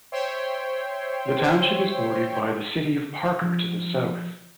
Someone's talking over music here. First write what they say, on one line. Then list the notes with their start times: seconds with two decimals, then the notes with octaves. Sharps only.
The township is bordered by the city of Parker to the south.
0.12 C5 C#5 E5 G5 C6
3.42 F3